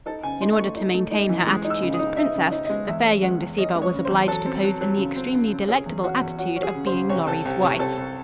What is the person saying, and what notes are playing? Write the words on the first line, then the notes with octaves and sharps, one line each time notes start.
In order to maintain her attitude as princess, the fair young deceiver was obliged to pose in the extremely delectable attitude of being Lorry's wife.
D#4 A4
C#3 G#5
D#4 C6
A3 C#6
D#4
A3
D#4
E3
G#3 D#6
D#4
E6
C#3
D#6
D#4
D#4 E5
C#3
D#5
D#4
D#5
G#3
E2 E5
C#4
G#3 F#5
E2
C#4 D#5
G#3
C#5
C#3
C5
E2
F#3 A4
C4
F#3
F#3
C#3
C4
C#3
C#3
C#4 G#4
E2
C#4 F#4
E2
C#4 F#4
C#4
G#4
C#3
C5
C#3
C2 C#5
C2 A4
C2
C3 C#5
C2 A4
C2